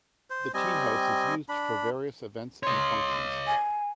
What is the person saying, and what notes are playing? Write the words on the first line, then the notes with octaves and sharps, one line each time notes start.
The teahouse is used for various events and functions.
C5
G3 C4 D#5 G#5
D4 B5
C#5 D#5 C6
G#5